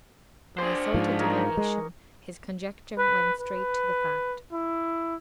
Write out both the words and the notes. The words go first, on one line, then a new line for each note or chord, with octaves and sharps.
By a sort of divination his conjecture went straight to the fact.
D4 G4 G#4 C5
G#2 F3
D#4 A#4 C#5
G#3
B4
B4
E4